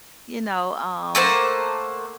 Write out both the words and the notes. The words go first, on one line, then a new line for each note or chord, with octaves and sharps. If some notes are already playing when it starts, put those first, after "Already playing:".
you know, um,
A3 A#3 C5 F#5